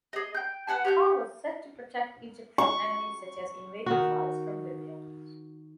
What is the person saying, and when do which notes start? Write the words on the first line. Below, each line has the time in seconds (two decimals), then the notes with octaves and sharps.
Ha was said to protect Egypt from enemies such as invading tribes from Libya.
0.13 G#4 D#5
0.35 G5 G6
0.67 B4 F#5 G#5 A5
0.85 G4 C#5 F#6 G6
2.58 C#6
3.86 D#3 F#4